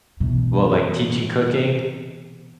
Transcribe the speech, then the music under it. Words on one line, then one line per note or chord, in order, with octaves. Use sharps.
well, like teaching cooking,
B2 E3